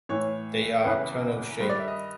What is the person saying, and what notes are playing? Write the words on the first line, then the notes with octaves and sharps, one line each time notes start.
They are tunnel-shaped.
A2 E3 C#5
E2 C#3 E3 B4
G2 D#3 C5
D5
E5
D#5